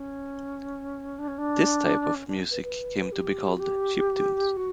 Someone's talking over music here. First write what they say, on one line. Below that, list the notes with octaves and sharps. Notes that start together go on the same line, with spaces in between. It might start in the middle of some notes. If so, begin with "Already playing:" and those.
This type of music came to be called "chiptunes".
Already playing: C#4
D4
C#4
D4
C#4
D4
B4
B4
G4
F#4
G4
F#4